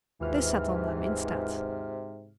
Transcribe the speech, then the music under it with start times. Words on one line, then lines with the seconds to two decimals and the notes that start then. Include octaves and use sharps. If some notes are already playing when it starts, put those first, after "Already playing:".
They sat on them, instead.
0.21 D#2 G#2 C3 E3 F4 F6